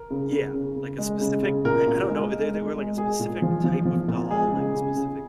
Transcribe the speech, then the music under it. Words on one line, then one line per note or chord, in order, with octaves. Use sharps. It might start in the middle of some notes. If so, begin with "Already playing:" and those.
Yeah. Like, a specific I I don't know, uh, they they were, like, a specific type of doll, like, a specific
Already playing: A#4
C#3
C#3
C#3
C#3
G#3
C#3
C#3
A#2 A#4
A#2
G#3
G#3
G#3
G#3
G#3 G#4
A#2
F3
F3
F3
A#2
G#3 G#4
C#3
C#3
C#3